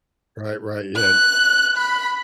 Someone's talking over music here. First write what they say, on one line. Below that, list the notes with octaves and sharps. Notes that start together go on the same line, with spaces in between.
Right, right, yeah,
F#6
B5